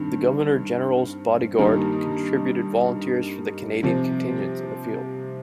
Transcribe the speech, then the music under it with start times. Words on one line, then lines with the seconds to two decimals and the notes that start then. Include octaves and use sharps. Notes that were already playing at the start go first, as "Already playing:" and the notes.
The Governor General's Body Guard contributed volunteers for the Canadian contingents in the field.
Already playing: G2 D#3 C4
1.58 G2 D#3 G3 A#3 D#4
3.83 C3 F3 C4